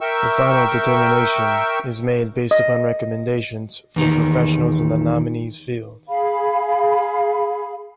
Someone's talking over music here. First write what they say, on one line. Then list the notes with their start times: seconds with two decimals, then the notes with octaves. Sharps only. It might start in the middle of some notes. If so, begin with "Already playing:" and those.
The final determination is made based upon recommendations from professionals in the nominee's field.
0.01 A#4 E5 G5 C#6 E6
2.51 D#5
3.96 E2 D#3
6.09 G#4 F5 B5